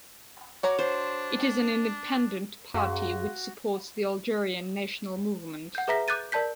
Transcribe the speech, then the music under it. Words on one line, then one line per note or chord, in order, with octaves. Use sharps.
It is an independent party which supports the Algerian national movement.
F#4 C#5 A#5 D6
D4 C5
F#2 F#4 G#4 F5 F#5 C6
F#5 G6
G#4 B4 E5 A#5 A#6 B6
D6 F#6 G6 A6 D#7
A#4 D5 A5 G6 B6